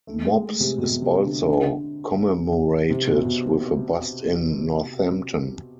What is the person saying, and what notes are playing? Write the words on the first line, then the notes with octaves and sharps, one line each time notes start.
Mobbs is also commemorated with a bust in Northampton.
A3
G#3
A3
C3
B2
B2
C3
D3
D3
C3
B2
B2